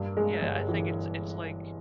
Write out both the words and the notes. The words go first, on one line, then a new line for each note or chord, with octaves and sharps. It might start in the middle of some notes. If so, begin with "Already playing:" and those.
Yeah, I think it's it's like,
Already playing: G2 A#3
G#3
G1
E3